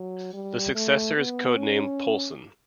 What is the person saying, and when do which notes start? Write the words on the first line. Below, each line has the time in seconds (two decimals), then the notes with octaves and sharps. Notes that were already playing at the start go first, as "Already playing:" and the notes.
The successor is code-named "Poulson".
Already playing: F#3
0.33 G3
0.75 A3
1.17 B3
1.57 C#4